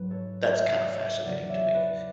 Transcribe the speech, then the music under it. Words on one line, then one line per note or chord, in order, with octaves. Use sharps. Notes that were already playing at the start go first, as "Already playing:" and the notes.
that's kind of fascinating to me.
Already playing: G#2 F#3 B4
A4 C#5
C#5 E5
D5
C#5 E5
E2 C#3 F#3 D5 F#5
C#5 E5
B4 D5